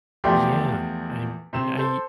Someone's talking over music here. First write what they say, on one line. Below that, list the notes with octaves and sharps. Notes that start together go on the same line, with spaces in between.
Yeah, I mean, I
E2 F3 A3 G4 D5 C6
C3 C4 E7
A4 C5